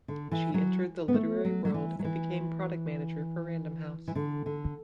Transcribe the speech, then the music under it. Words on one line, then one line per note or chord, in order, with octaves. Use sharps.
She entered the literary world and became product manager for Random House.
D3
E3
F#3
B3
A3
F#3
F#3
E3
F#3
E3
E3
D3
D3